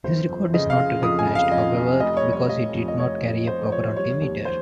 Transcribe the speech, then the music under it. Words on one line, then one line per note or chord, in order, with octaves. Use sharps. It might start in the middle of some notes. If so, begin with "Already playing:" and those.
His record is not recognized, however, because he did not carry a proper altimeter.
G1 C5
F2
C#3 D#5
F5
C#3
F2 D#6
G#5
F2
F5
F2 D#5
F2
F1 D#5
C#5
G3
C#5
F1 D#5
F2
D#5
F2 C#5
F2
F1 C5
F2 C#5
G3 C#5
D#2
C5